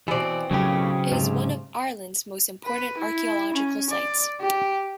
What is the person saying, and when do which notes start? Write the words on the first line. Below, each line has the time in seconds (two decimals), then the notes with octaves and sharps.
It is one of Ireland's most important archaeological sites.
0.08 B2 E3 C4 D5
0.51 B1 A2 C#3 F#3 G4
1.12 G#2 C3
2.65 B4
2.98 E4
3.54 C#4
3.90 D5
4.40 G4